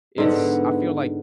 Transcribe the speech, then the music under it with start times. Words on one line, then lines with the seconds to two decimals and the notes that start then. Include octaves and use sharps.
it's I feel like
0.18 G#2 D3 B3 F#5